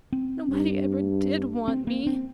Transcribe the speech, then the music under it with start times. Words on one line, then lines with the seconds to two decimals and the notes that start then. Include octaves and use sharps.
Nobody ever did want me.
0.12 C4
0.51 G2
1.68 C4
1.87 A#3
2.07 C4